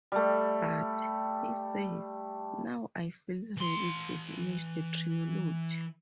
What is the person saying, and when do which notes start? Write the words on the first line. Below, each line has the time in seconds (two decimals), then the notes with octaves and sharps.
"But", he says, "now I feel ready to finish the trilogy".
0.12 G3 A3
3.57 E3 C6